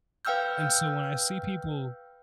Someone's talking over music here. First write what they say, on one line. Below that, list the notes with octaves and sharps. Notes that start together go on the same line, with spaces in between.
and so when I see people
B4 F5 G5 E6 F6 G6